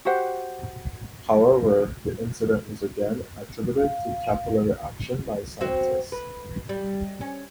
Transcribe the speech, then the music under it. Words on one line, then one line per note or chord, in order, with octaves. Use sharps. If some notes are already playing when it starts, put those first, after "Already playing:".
However, the incident was again attributed to capillary action by scientists.
F#4 G4 C5 F#5
F5
C4 F#4
B4
G3
C#4